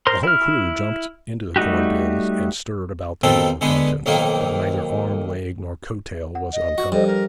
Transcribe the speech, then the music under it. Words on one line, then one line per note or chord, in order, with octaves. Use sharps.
The whole crew jumped into the corn-bins, and stirred about their yellow contents; but neither arm, leg, nor coat-tail was uncovered.
A#4 C5 C6
E4 F6
G3 A3 D#4 F#4 G4
B2 D#3 F3 C4 A4
D3 G#3 B3
B1 F2 D#3 A#3
F#5
D#5
F#4
G2 F3 A4 C5 D#5
A#4